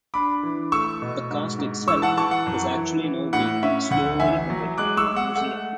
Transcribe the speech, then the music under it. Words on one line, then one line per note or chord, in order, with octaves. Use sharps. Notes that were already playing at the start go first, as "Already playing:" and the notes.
The castle itself is actually now being slowly converted into a museum.
D4 B5 D6
E3
A3 C#6 E6
B2
G#2
G#2
E3 C#6 E6
F#5 A5
E3 A5 C#6
F#5
F#2
E3
E3
A2 F#5
C#4 E5
D2 F#5
A1 E5 G#5
F#3
G#3 D6 F#6
C#6 E6
G#3
F#5
A3 F#5